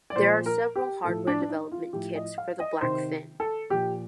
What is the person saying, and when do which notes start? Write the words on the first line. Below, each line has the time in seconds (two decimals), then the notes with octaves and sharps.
There are several hardware development kits for the Blackfin.
0.10 D5
0.16 A#2 F3 C5
0.46 A#4
0.76 G4
1.04 A2 F3 A4
1.27 D4
1.42 D4
1.49 D#4
1.72 F4
1.93 A2 F3 G4
2.15 D#5
2.38 F5
2.60 D#5
2.81 C3 D#3 C5
3.40 A4
3.70 A#2 F3 G4